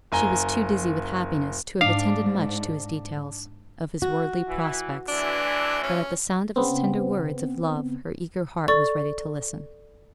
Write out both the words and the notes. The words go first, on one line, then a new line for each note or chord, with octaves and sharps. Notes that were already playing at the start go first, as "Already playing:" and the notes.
She was too dizzy with happiness to have attended much to his details of his worldly prospects, but at the sound of his tender words of love her eager heart was ready to listen.
F#1 G#5 A#5 G7
G#2 D4 F5
F#4
E3
D2 E3 D4
C#4
C#3 B3 C4
A4 D5 C#6 A6